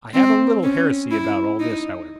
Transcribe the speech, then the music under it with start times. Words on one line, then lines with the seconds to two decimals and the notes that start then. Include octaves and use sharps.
I have a little heresy about all this, however.
0.14 C4
0.63 C#4
1.11 E4
1.60 D#4